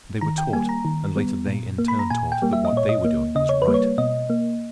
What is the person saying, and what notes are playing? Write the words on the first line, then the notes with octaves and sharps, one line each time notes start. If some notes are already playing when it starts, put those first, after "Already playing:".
They were taught, and later they in turn taught, that what they were doing was right.
D#3 A#5
G5
G3 A#3 G#5
A#5
D#3
G3 B3
A#2
A#3
B5
A#5
A#2 G#5
G5
G3 A#3
E5
D#5
A#2 C#5
D#5
A#3
C#3 D#5
C#5
B4
G3 A#3
C#5
B2 D#5
A#3